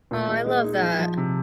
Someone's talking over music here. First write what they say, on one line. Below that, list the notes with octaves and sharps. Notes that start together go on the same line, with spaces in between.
Oh, I love that.
A#2
G#3
G#3
D#4
F3
F3
C3